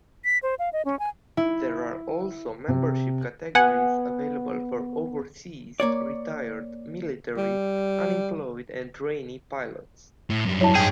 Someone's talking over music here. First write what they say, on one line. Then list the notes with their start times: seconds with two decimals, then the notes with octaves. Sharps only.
There are also membership categories available for overseas, retired, military, unemployed and trainee pilots.
0.24 B6
0.43 C5
0.59 F5
0.73 D#5
0.85 C#4
0.99 G#5
1.37 E4
2.68 C3
3.55 B3 F#5 G#5
5.80 A#3 C#5 D5
7.37 G3
10.30 A2
10.46 F#2 G3
10.61 F#3 E4 C#5 A5
10.76 G#2 G#4 G5